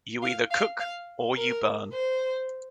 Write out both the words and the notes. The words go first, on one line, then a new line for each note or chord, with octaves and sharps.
You either cook or you burn.
F5
F5
F5
A#4
C5